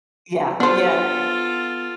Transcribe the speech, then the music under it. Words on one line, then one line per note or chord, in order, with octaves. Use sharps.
Yeah. Yeah.
B3 D4 F4 A4 C5